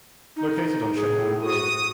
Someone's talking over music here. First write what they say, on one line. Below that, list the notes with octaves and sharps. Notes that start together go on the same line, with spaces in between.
Located on Sheffield Road.
D#4
A2 G#4
F#4 D#6